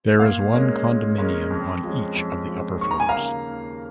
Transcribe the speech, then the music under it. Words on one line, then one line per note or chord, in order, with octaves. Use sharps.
There is one condominium on each of the upper floors.
A#2 F5
G#3 C#4 A#4 C#5
A#2
G#3 C#4 A#4 C#5
F2
F3 G#3 C#4
F2
F3 G#3 C#4
D#2 C#6
A#5
G#5
F5 A#5
C#3 A#3
D#2